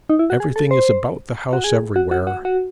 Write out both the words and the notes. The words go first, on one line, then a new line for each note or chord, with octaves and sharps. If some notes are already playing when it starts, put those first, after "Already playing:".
Everything is about the house everywhere.
D#4
E4
F#4
G#4
A4
C5
F#4
G#4
F#4
F#4
F#4
F#4